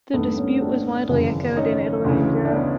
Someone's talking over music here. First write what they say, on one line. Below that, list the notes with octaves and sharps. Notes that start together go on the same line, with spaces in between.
The dispute was widely echoed in Italy and Europe.
G#1 G2 D#3 A3 B3
B3 C#4
C4 D4
G#1 F#2 C#3 E3
C#4 D#4
D2 C#3 E3
D4
B3 C#4